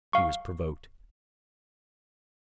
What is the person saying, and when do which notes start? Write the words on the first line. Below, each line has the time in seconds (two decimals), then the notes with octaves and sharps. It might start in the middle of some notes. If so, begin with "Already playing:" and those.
He was provoked.
0.13 F5 C#6